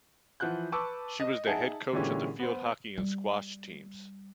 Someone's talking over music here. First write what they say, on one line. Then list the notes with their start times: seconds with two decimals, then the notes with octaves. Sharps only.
She was the head coach of the field hockey and squash teams.
0.40 E3 F3 F#5 F#6 G6
0.72 B4 A5 C#6 D6 E6
1.20 D#5
1.46 D#4 G#4 E5 F#5 G#5 A5
1.93 A#2 D3 E3 G#3 C#4 G4
2.39 B3 C5
2.98 G3